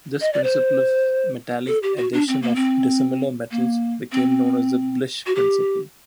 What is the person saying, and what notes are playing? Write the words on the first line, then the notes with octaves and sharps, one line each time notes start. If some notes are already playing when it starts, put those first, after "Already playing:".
This principle of metallic adhesion of dissimilar metals became known as the Blish Principle.
D#5
D5
C5
A4
G4
F#4
D4
C4
A#3
C4
A#3
C4
F#4
G4